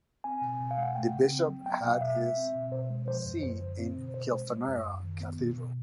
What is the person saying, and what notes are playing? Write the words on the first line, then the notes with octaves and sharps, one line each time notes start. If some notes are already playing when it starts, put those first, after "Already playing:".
The bishop had his see in Kilfenora Cathedral.
C4 G#5
B2
B2
F5
G#3
F#5
A3 G5
C#3
C4
F#3
B3 G5
B2 F5
B2 E5
G#3
C4
B2
B2 C5
G#3
F3 C5
F#2
F#2 C5
D3
C4
B2
B2 C5
G#3
G#3
F#2
F#2
D#3
B3
B2
B2